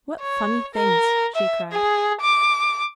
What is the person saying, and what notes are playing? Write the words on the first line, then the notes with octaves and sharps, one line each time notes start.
"What funny things!" she cried.
C#5
A#4
E5
G#4
D6